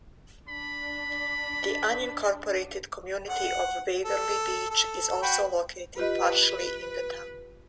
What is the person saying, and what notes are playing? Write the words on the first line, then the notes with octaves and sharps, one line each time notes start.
The unincorporated community of Waverly Beach is also located partially in the town.
D4 B5
F#5
A4
A4
F#4 G5 B5
F4 G4 B4 D#5